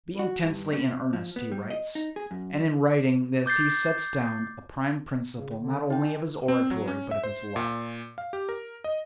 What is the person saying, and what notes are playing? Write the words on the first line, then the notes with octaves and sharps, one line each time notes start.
"Be intensely in earnest," he writes; and in writing this he sets down a prime principle not only of his oratory, but of his life.
F#4
G2
C#4
C3
F3
B3
G3
D#5
D#4
G#4
F#2
D6 G6 A6 C7
C#3
D3
D#4 G5
C4
F#3
C#4
E5
C5
A#2
F5
G4
A#4
D#5